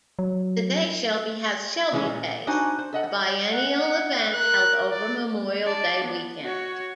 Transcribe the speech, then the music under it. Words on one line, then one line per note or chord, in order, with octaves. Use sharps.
Today Shelby has "Shelby Days", a biennial event held over Memorial Day Weekend.
F#3
D#3 E3 G#3 C#4 E4
A#2
D4 D#4 F#4 C5 G#5
C5
A4 D#5 F#5
F#5
A#4 F#6
D5
D5 A5
B3
F#4 C#5